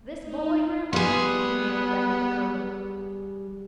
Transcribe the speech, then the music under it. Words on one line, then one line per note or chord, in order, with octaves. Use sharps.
"This boy, grandma," began the red-headed girl.
D#4
G3 B3 G#4